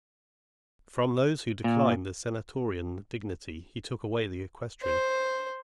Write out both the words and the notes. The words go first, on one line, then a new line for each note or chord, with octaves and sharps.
From those who declined the senatorian dignity, he took away the equestrian.
A#2
C5